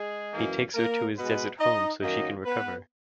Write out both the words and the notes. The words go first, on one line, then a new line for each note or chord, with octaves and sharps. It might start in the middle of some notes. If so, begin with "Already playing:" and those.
He takes her to his desert home so she can recover.
Already playing: G#3 G#4
F#2 E3 A#3
A#3 A#4
B2 G#3 B3 B4
D#4 D#5
F#2 D#3 F#3 A#3 D#4 D#5
B3 B4